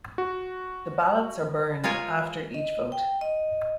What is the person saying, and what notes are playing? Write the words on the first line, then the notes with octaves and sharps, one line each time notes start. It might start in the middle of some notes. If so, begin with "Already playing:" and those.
The ballots are burned after each vote.
F#4
G#3 F4 A#4 C#5 G#5
D#5
G5
D#5